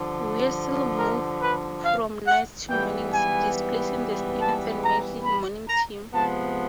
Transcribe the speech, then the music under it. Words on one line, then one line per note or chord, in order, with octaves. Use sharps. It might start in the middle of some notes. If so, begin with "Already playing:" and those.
Weasel moved from nights to mornings, displacing the Stevens and Medley morning team.
Already playing: G2 D3 F3
A#4
B4
F5
F#5
G#2 E3 G3 B3 G5
G#5
A5
A#5
B5
A#5
C3 F3 G#3 B3 A5